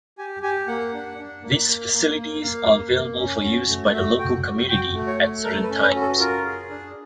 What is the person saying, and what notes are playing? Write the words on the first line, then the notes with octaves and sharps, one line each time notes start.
These facilities are available for use by the local community at certain times.
G4 G#5
G4 G#5
A#3 F#5
D4
D4
A#3
A#3
A#3
A#3
A#3 F5
A#3
A#3
C#4
F#4
A3
F#4 E5
F#4 G5
F#4
F#4 G5
A3
C#5
A3
A4 A#4
B4
C#4
B4
F#4
A4
F4 A#4
G#4
D4